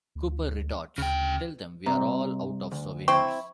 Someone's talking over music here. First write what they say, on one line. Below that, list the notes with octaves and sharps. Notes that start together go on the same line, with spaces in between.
Cooper retorts: "Tell them we're all out of souvenirs".
D2
D2 C#3 G5
C2 C3 A#5
D2
C4 E4 C#6